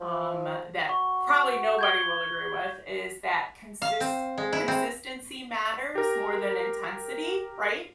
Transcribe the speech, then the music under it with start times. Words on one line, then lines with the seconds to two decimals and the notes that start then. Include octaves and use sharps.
um, that probably nobody will agree with is that consis consistency matters more than intensity, right?
0.01 F3
0.89 F#4 C#6
1.79 G6 G#6 G7
3.82 F5
4.00 C4
4.38 G#3
4.53 E4
4.68 C4
5.95 G4 A#4